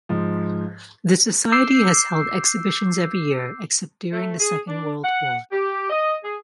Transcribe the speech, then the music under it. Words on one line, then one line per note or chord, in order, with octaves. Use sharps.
The society has held exhibitions every year except during the Second World War.
G#2 F3
D6 E6 G6 C7
A3
G#4
D4
F#5
G4
D#5
G#4